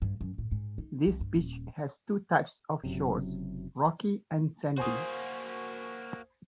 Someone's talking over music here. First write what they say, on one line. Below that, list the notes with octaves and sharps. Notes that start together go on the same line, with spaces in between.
This beach has two types of shores, rocky and sandy.
G2
F#2
A2
G#2
D#4
C2
G2
D#1
F#1 F#2 C3
A#3 F#4 C5 G#5 D#6